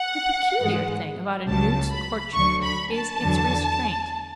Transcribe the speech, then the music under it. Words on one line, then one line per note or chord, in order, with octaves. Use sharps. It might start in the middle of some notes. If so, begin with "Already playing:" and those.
The peculiar thing about a newt's courtship is its restraint.
Already playing: F#5
G#2 E3 G#3
C#2 C#3 F#3 A5
B5
D2 D3 F#3 C#6
B5
A5
E2 D3 F#3